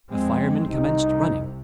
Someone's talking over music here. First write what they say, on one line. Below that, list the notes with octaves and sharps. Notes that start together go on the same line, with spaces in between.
A fireman commenced running.
F2 G#3 C4
C2 C3 D#4